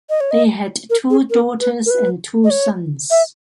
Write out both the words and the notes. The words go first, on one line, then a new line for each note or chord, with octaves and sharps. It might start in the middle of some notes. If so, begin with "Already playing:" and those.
They had two daughters and two sons.
D#5
C#5
D#5
A#4
G#4
A#4
B4
A#4
B4
D#5
C#5
E5